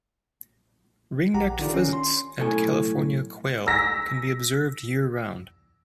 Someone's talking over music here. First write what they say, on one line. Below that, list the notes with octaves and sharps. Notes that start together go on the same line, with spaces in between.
Ring-necked pheasants and California quail can be observed year-round.
A#1 G4 F#5 A#5
D#3 D4 F4 A4 D5
C#4
C6
B1 A2 A4 G#5
E6 A#6 B6